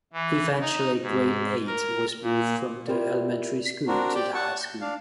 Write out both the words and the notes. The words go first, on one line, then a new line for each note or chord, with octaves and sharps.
Eventually grade eight was moved from the elementary school to the high school.
E3
D#4
G#2
A#4
A#2
E4 F4 G4 A#4 D5
C4 D4 F#4 A#4
G4 D5 G5
F#5 A5 C#6
G6
D4 F5